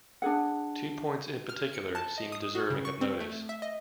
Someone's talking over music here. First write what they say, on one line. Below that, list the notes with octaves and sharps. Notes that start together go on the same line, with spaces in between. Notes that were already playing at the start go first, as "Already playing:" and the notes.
Two points in particular seem deserving of notice.
D4 F4 G#4 F#5
F6
C#7
A5
D#5
D#6
F#4
C#3
C#6
C4
A3
E5
D#5